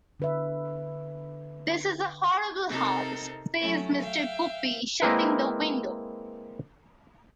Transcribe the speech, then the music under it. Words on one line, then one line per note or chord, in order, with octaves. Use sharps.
"This is a horrible house," says Mr. Guppy, shutting the window.
D3 B4 E5
C3 C4 D#4 A4 A#4
F#3 A3 C#4 E4
E5 F5 G5
G#3 A#3 C4 E4 A#4 B4